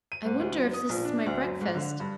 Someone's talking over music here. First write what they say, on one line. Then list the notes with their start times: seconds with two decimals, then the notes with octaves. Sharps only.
"I wonder if this is my breakfast?"
0.12 D#7
0.25 G#2
0.40 D2
0.56 F#2
0.73 D#6
0.89 A#1
1.05 D4
1.26 D2
1.44 F#2
1.61 G#2
1.75 D3
2.00 G2